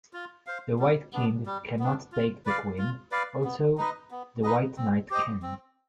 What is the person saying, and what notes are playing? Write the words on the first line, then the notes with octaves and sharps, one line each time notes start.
The white king cannot take the queen, although the white knight can.
F4
C5 F5
G3
B3 D4
G3
B3 D4
F4
B4 D5 F5
F4
B4 D5 F5
B3
D#4 B4 D#5
B3
D#4 B4 D#5
C4
G4 C5 D#5
C4